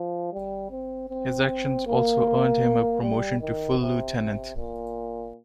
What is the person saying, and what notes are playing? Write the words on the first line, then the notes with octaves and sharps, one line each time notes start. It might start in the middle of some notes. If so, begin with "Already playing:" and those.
His actions also earned him a promotion to full lieutenant.
Already playing: F3
G3
C4
C4
A#3
G3
D#3
C3
C3
A#2